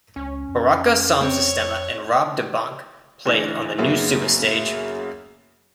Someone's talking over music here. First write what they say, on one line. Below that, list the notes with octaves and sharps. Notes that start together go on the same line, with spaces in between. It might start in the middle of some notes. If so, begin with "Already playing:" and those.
Buraka Som Sistema and Rob Da Bank played on the new Suba Stage.
C#2 C#4
F2
C4 C#5
D2 E3 D4 A#6
F#2 C#3 F#3 A#3 B3 E4